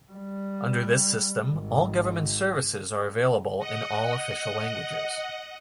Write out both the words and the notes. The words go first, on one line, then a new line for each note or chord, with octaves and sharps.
Under this system, all government services are available in all official languages.
G3
G#1
D#5 F#5